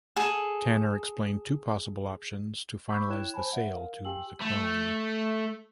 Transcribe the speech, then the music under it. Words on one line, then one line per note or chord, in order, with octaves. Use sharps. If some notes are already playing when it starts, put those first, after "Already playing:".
Tanner explained two possible options to finalize the sale to the "Krone".
G#4 A4
B5 C#6 D6 E6 G6 B6
E4 C#5 G5 F#6 G#6 E7
C5 G#5 A5 B5
C#5 E5 F#5
A#4 F5
G4 G5 G#5 E6 F#7
A3